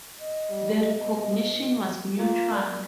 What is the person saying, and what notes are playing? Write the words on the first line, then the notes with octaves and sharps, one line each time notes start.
The recognition was mutual.
D#5
G3
B2
A#3 F4
D5